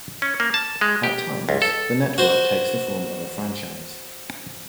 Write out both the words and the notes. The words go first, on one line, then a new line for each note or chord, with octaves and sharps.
At times, the network takes the form of a franchise.
C#4
A#3
A5
G#3
G4
C#2
A4
F#4 C5